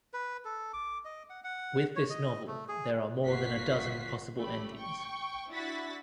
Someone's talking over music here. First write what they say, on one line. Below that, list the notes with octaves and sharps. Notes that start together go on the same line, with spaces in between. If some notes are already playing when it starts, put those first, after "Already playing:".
With this novel, there are more than a dozen possible endings.
B4
A4
D6
D#5
F#5
F#5
C#5
D#5
A3
G#4
G1 A#3 F4 F#4 B6 C7
A1 A3 G4 B5
G5 C#6
D4 E4 F#4 A6 B6